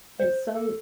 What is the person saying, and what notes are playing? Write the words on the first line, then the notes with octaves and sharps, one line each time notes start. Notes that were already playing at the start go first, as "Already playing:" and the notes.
And some
C5
A4